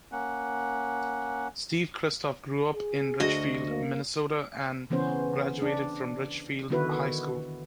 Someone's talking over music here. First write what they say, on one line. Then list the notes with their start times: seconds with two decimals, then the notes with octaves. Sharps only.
Steve Christoff grew up in Richfield, Minnesota and graduated from Richfield High School.
0.12 A#3 C#4 F#5
2.75 G#4
3.20 D2 F#4 D#5
3.70 A#3
4.90 C#3 E3 B3 C#4 C5
5.62 D4
6.70 D3 D#3 B3 E4 F#4 B4